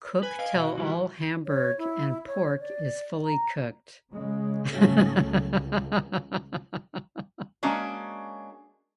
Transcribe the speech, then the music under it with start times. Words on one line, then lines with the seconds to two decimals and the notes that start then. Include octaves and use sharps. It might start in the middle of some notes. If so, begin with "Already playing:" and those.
Cook till all Hamburg and pork is fully cooked.
0.23 B4 G#5
0.39 D#5 F5 G#5 D7
0.55 B2 F#4
0.78 E3 G3 E4
1.46 C#5
1.78 E4
2.27 C#5
2.60 D5
3.23 A#5
4.12 C#3 G#3
4.75 G#2 C#3 F#3 A3 C#4
5.24 C#2
7.63 G#3 A#3 C#4 D4 F#4